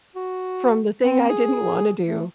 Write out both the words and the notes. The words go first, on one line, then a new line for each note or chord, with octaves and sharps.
from the thing I didn't wanna do."
F#4
C4
G#4
A3